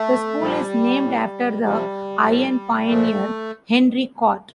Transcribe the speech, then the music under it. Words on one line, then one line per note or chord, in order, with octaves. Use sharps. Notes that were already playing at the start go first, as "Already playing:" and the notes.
The school is named after the iron pioneer, Henry Cort.
Already playing: A3
A#2 F3 G3
A2 E3
C3 F3 G3
A2 F3
A#2 F3 A3